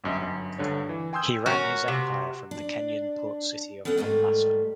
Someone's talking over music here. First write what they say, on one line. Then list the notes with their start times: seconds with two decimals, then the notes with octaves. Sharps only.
He ran his empire from the Kenyan port city of Mombasa.
0.04 G1 F#2 D#5 E5
0.21 G1 F#2
0.58 D2 G2 D3 C#5
0.89 E3
1.13 G5 G#5 C6 D#6 E6 G6
1.46 C#4 F#4 A#4
1.88 C3
2.51 D4
3.85 B3 C#4 A4 F#5 G5
3.97 G#2 D#3 G3 A3